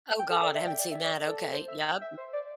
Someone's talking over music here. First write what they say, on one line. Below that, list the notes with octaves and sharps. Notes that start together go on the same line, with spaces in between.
Oh god, I haven't seen that, okay, yep.
G5
A4
D5
E5
G5
D5
E5
D5
A4
C5
E5
G5
E5
C5
D5